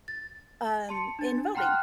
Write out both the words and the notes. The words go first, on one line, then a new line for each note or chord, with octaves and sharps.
um, in voting.
A6
A5 C6 C#7
D4 A6
F#5 G5 A#5 C6 F6 F#6